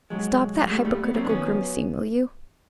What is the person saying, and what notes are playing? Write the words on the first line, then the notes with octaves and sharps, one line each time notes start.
Stop that hypocritical grimacing, will you.
B1 F#3 G#3
B1
B1
F#3
G#2 G3 A3
G#2 G3 A3
G#2 B3
F#3 A#3 C4
D4
D#2 B3 C#4
F#3